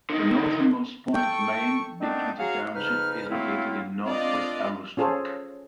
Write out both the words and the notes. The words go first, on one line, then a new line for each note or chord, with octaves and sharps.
The northernmost point of Maine, Big Twenty Township is located in Northwest Aroostook.
D3 D#4
A4 G5 C#6
D#3 A3 B3 C4 D4 D#4
C#4 F#4 G#4 F5 F#5 A#5
F2 C#3 D#4 B4 F6
F#3 A3 A#3 C4 E4 F4
C4 D4 F4 D5 D#5 F5
C#4 F4 G#4 A4 C5 C#5